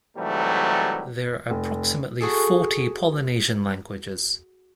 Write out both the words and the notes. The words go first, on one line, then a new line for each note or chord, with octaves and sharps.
There are approximately forty Polynesian languages.
G#2 C3 E3 F#3 G3 A3
F1
F#4 G#4 A4